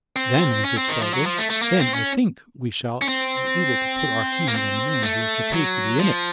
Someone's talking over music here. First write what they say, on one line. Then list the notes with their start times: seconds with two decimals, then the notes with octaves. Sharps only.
"Then," answered Spargo, "then I think we shall be able to put our hands on the man who is supposed to be in it."
0.16 C4
0.65 C#4
0.77 C4
0.89 D#3
1.02 F3
1.14 F#3
1.26 F3
1.38 A3
1.50 A3
1.62 A#3
1.79 C4
1.94 C#4
3.02 C#4
3.08 C4
4.48 A#3
4.54 C4
5.03 A3
5.52 F#3
6.00 F3